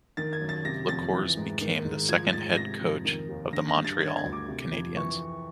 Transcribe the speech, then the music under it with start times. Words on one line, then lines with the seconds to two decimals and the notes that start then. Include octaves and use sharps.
Lecours became the second head coach of the Montreal Canadiens.
0.17 D#3 A6
0.33 G#6
0.41 F#2
0.49 A6
0.65 C3 A#6
0.89 F2 A6
1.13 E3
1.37 G#2
1.61 D#3
1.85 G#2
2.09 F3 G#6
2.33 G#2 A6
2.56 C3 A#6
2.81 F2
3.05 D#3
3.29 D#2
3.53 D3 A#6
3.69 A#6
3.77 G2
3.85 A6
4.00 D3 G#6
4.17 G#6
4.25 D2
4.33 D6
4.48 C3
4.73 F2
4.97 E3 C#6